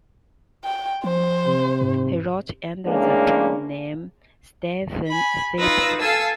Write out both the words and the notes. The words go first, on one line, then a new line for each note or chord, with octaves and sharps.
He wrote under the pen name Stefan Faber.
G5
F3 C5
C3
G#2
A2 C#3 G#3 A#3 D4
G#5 B5
D#4 F4 B4 E6 A#6
A4 F5 G#5 A5 E6